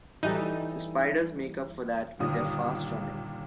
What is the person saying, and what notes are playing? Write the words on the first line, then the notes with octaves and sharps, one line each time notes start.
The spiders make up for that with their fast running.
E3 G3 D#4 A4
G1 D#2 A#2 D#6